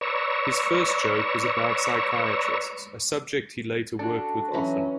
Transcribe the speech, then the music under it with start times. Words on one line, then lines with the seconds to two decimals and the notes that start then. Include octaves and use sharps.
His first Joke was about psychiatrists, a subject he later worked with often.
0.01 B4 C#5 D5 A#5 C#6 E6
3.99 D4 F#4 A4 F#5
4.53 E3 F#3 C#4 A#5 B5